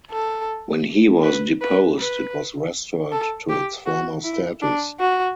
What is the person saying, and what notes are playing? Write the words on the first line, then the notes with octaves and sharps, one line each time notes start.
When he was deposed, it was restored to its former status.
A4
B4
B4
B4
A4
G4
F#4
E4
D4
F#4